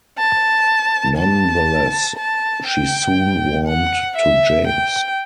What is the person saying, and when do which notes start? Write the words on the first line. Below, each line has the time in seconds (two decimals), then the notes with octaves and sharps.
Nonetheless, she soon warmed to James.
0.18 A5
1.17 A5
2.17 A5
2.67 G5
3.67 F#5
4.17 E5
4.67 G5